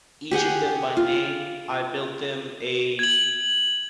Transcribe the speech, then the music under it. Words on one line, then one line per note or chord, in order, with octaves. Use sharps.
each of them by name, I built them a
G4 G#4 F#5 G5
F4
G#6 F#7